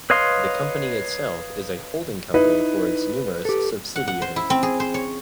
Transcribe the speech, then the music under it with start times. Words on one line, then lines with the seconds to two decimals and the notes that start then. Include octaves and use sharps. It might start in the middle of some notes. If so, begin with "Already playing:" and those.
The company itself is a holding company for its numerous subsidiaries.
0.10 B4 C#5 D#5 F5 C6
2.34 D#4 E4 B4
3.45 G4 A4
3.96 F#5
4.08 F#5
4.22 C5
4.36 E4
4.50 C4
4.63 G#4
4.80 C5
4.94 C#5